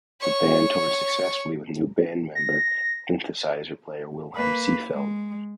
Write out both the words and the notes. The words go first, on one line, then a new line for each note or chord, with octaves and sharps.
The band toured successfully with new band member, synthesiser player Wilhelm Seefeldt.
C#5 C#6
A#6
A#3 B4
G#3